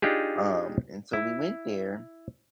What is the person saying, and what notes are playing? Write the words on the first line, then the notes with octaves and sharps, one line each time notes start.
um, and so we went there,
D4 D#4 F4 G4 G#4
E4